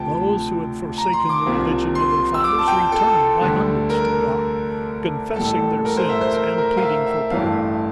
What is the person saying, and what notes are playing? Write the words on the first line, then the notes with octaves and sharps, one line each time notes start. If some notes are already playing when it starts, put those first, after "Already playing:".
Those who had forsaken the religion of their fathers returned by hundreds to God, confessing their sins, and pleading for pardon.
Already playing: D2 C3 F3 G5 A5
A#5
C6
D6
C2 C3 F3 A#3
C6
E6
D6
A5
G5
A4
D2 D3 G3
A#4
A1 A2 G3 A#3 A4
A#4
C5
E5
C5
A#4
A#4
F5
E5
E5
A1 G2 E3 A3 F5